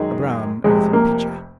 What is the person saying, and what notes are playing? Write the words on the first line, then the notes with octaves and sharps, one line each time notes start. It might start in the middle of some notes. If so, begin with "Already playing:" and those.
A brown earthen pitcher!
Already playing: F#2 D#3 G#3 D#4 G#4
F1 F2 C3 G#3
A#3